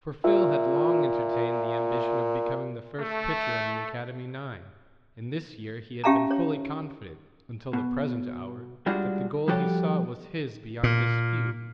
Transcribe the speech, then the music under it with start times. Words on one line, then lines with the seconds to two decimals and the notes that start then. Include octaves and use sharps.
For Phil had long entertained the ambition of becoming the first pitcher on the academy nine, and this year he had been fully confident until the present hour that the goal he sought was his beyond dispute.
0.24 A#2 F4 E5
2.99 A3
6.04 C#4 G4 E5 F5 A5 A#5
6.31 C#5
7.73 B2
8.86 G3 G#3 D4 F4 F#4
9.48 F3 G3 F#4 G4 A4 C#5
10.83 A#2